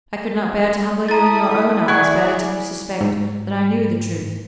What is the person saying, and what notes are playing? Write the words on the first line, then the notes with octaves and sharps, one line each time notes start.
I could not bear to humble you in your own eyes by letting you suspect that I knew the truth.
E4 A4 A#5 D#6 A6
E4 G#4 D5 F#5 G#5 C#6 F#6 G#6
G#2